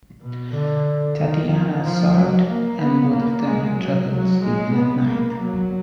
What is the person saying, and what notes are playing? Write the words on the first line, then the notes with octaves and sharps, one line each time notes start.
Tatiana sobbed and both of them had trouble sleeping that night.
B2
D3
D#3
D#3
F3
F#3
A#3
B3
A#3
G#3
F#3
F#3
G#3
B3
A#3
F#3